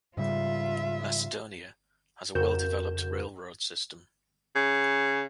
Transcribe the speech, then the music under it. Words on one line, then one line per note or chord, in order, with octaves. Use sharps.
Macedonia has a well-developed railroad system.
G#2 C#3 G3 F4 E5
F2 C#3 F#4 A#4 G6 E7
C#3